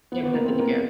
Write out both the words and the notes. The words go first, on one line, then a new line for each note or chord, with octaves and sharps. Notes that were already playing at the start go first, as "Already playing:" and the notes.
You have nothing to give.
B3
B3
A#3
C4
B3
A#3
B3